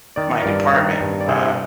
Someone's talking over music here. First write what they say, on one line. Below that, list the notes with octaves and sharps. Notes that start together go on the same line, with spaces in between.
my department, uh
D#3 D5
G2 A#4 D5
D#3
G2
D5
C3 G#4 C5